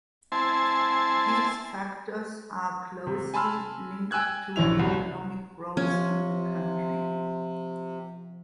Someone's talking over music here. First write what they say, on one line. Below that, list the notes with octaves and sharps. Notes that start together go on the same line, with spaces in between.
These factors are closely linked to economic growth in the country.
C4 E4 G#5 A5 C6
C3
G#5 A5 B5 C6 E6 F6
G5 G#5 E6 F#6 G#6
A#1 C#4 E4 F7
C2 F#4
C3 F3 C#4 F4